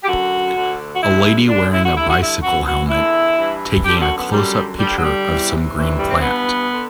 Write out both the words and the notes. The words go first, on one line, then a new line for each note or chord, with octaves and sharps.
A lady wearing a bicycle helmet taking a closeup picture of some green plant.
G4
F#2 D3 F#4
D2 D3
F#4
G2 D3 E4
F#2 D3 D4
E4
F#4
G2 D3 E4
F#4
E4
F#2 E3 F#4
F#4
E2 D3 E4
G2 E3
F#2 D3 G4
F#4
B3
F#2 D3 G3
G2 D3 G3
F#3
G3
E2 C3 E3
D2 C3 E3
G3
C4
G2 E3 B3
D3